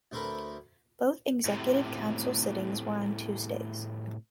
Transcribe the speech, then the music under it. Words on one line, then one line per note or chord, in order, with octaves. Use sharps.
Both Executive Council sittings were on Tuesdays.
D2 A3 C4 A#4 B4
A2 C3